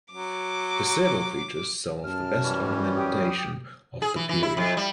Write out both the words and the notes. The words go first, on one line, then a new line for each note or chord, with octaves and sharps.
The sebil features some of the best ornamentation of the period.
F#3 D6
F#2 A5 F6
E3 G3 C#4
G4 D#6
G#4
E3
E3
E4
F2
G3